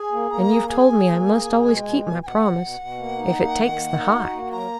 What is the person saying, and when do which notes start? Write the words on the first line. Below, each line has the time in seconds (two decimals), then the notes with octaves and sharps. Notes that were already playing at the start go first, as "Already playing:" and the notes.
"And you've told me I must always keep my promise, 'if it takes the hide'!"
Already playing: G#4 G#5
0.12 A#3
0.31 A#3 A#5
0.50 G#4
0.69 G#4 G#5
0.88 G#4
1.07 A#3
1.26 G#4
1.46 B2
1.65 G#3
1.84 B2
2.03 B2
2.22 B2 G#5
2.27 F#5
2.41 B2
2.60 B2
2.80 B2
2.99 A#3
3.18 D#4
3.37 A#3
3.56 D#3
3.75 A#3
3.94 D#4
4.14 F#4
4.33 A#3
4.52 F#3 A#5